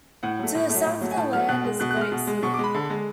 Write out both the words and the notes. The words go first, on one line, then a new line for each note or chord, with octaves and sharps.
To the south of the land is the Great Sea.
A2 F#5
F#3 A3
A2
A3
F#3
A2
F#3 A3
G#5
A2 A5
F#3 A3 F6
B2 F#6
G#3
B2 F#6
F#6
G#3
F6
B2
G#3
B2 C#6
D6
G#3 B5
D3
G#3